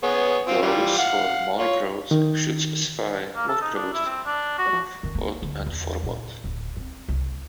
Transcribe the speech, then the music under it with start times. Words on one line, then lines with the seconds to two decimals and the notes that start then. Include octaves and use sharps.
Goals for more growth should specify more growth of what and for what.
0.03 B3 G#4 C#5
0.47 C4 F4
0.62 E3 G3 F4
0.98 F5 F#5
1.59 F4 C#5
2.11 D#3
3.36 A#3
3.48 A4
3.61 D#4
3.75 D4
3.93 E4
4.06 C4
4.26 D4
4.58 F#4
5.03 D#3
5.15 A#3
5.42 D2
5.66 E2
6.03 A#2
6.44 D1
6.77 C4
7.09 C2